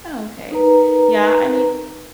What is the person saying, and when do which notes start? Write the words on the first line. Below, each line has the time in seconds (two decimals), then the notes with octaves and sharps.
Oh, okay, yeah, I mean
0.51 D#4 A#4 B4 A#5